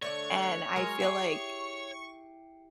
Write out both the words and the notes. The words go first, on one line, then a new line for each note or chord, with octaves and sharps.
and I feel like
D3 A3 D4 C#5 D5 C#6
F#3 G#3 A#4 G#5 C6
E4 G4 G#4 G5 C#6 C7 C#7